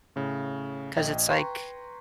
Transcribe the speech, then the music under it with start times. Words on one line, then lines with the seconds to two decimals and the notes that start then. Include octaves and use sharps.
'Cause it's like
0.16 A2 C#3
0.97 A#1 D#5 G5 G#6
1.30 B4 G5 A#5 C6 C#6